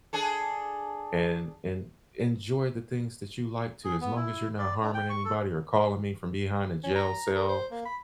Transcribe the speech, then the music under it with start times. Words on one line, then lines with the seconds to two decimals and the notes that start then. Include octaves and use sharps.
and and enjoy the things that you like to as long as you're not harming anybody or calling me from behind a jail cell.
0.13 D4 G#4 A4
3.84 G#4
4.01 B3
4.16 E4
4.58 D5
4.83 D4
4.94 G5
5.09 C#6
5.25 A4
6.84 C#4
6.96 A#5
7.35 A#4
7.48 C5
7.71 A#3
7.85 B5